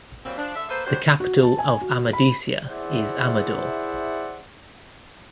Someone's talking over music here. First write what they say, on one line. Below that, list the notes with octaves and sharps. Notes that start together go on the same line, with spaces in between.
The capital of Amadicia is Amador.
E3 F#3 G3 A#3 C4
F3 D4
D3 A4 E5
A#3 A4 B4 C5
G2 C#4 D4 F#4 C5
F#4
A5
G#5
F#4
B5
E4 G#4 C5 D5 E5 F#5